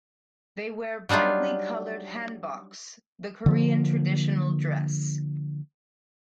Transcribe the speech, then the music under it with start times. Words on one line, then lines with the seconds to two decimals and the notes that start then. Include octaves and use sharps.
They wear brightly coloured hanboks, the Korean traditional dress.
1.09 F#3 G3 D4 D#4 F4
3.46 D3 F3 A#3